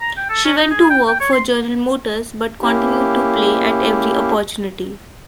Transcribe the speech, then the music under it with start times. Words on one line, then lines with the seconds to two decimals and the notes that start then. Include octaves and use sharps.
She went to work for General Motors but continued to play at every opportunity.
0.01 A#5
0.17 G5
0.30 A4
0.45 C#4
0.58 D#4
0.71 G#4
0.90 G5
1.08 G5
1.20 C#5
1.33 C6
2.62 A#3 C#4 E4 G4